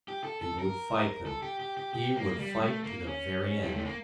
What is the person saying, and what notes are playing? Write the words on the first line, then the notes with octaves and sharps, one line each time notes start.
He would fight them--he would fight to the very end.
G4
A4
A4
A#4
A4
G4
G4
G4
G4
A#3
G3
A3
A#3
C#4
G3
A3
A#3